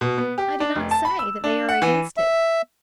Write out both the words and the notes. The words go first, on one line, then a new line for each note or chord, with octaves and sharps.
I do not say that they are against it.
B2
B3
G4
D4
F1
A5
B5
E6
D4
F#5
E3
E5